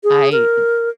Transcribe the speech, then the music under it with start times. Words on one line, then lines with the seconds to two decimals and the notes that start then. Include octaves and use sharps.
I, d
0.04 G#4
0.32 A#4